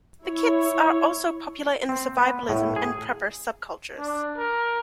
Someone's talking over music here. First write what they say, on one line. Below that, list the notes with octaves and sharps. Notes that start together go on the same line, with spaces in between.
The kits are also popular in the survivalism and prepper subcultures.
E4 C#5
C4
B3
A2
G#4
D4
A#4